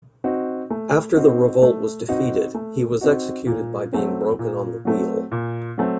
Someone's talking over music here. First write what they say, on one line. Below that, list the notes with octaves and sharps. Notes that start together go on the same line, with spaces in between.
After the revolt was defeated, he was executed by being broken on the wheel.
C4 D#4 F#4
A3
C4 D#4 F#4
A3
C4 D#4 F#4
A3
C4 D#4 F#4
A#2
F#3 A3 C4
A#2
F#3 A3 C4
A#2
F#3 A3 C4